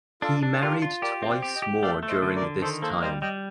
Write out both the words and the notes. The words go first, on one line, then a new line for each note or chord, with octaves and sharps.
He married twice more during this time.
D4 F4 A4
D4
F4 G4 A#4
F4
G4 A#4 D5
C4
D5 F5
G4
D#5 G5
G4
A3 D5 F5
A3
C5 D#5
D3
A#4 D5
D3
D#3 A4 C5
A#3 A4 C5
G3 C5 D#5
G3 D#5 G5